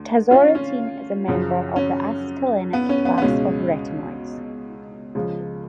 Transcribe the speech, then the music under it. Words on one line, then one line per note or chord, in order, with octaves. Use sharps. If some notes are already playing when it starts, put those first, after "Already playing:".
Tazarotene is a member of the acetylenic class of retinoids.
Already playing: D2 D3
C#4 F4
C#4
F#2 C#3 F3
C#4
B3
C#4
B3
B3
C#2 B2 G#3 C#4
C#2 C#3 F3 G#3